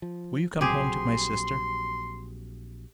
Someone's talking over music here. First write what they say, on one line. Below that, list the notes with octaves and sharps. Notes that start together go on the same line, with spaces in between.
Will you come home to my sister?
F3
A#1 F#3 C4 G4 G#4 C6